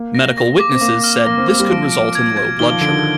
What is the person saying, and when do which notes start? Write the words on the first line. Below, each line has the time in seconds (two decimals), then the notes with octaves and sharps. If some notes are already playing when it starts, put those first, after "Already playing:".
Medical witnesses said this could result in low blood sugar.
Already playing: A#3
0.15 A#6
0.38 A#6
0.60 D6
0.71 C4
0.81 A#3 D6
1.04 F6
1.26 A#3 A#6
1.37 C4
1.48 A#3 D6
1.60 G3
1.70 F3 D7
1.92 D7
2.15 G#6
2.37 G#6
2.59 D#3 G7
2.70 F3
2.81 D3 D7
2.92 D#3